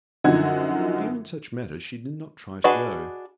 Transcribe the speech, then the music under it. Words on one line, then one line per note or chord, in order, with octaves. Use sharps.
But beyond such matters she did not try to go.
F#2 D3 F3 D#4 F#5 G#6
D4 F#4 G#4 B4 D#5